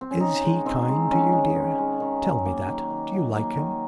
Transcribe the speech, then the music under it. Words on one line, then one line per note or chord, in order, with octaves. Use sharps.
Is he kind to you, dear; tell me that; do you like him?'
C4
C#4
D#3 D#4
G#3
D#3 C4
G#3
D#3 C#4
G#3
D#3
G#3
D#3
F#3
A#3
D#3
D#3
F#3
A#3
D#3